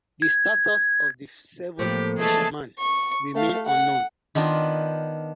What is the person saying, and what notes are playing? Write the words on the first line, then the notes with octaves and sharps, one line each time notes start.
The status of the seventh fisherman remained unknown.
G#6
A2 F3 A#3 C4 G4
E3 G#3 A3 G#4 A5
C#6
A3 F5
F#5
D#3 B3 D4 F4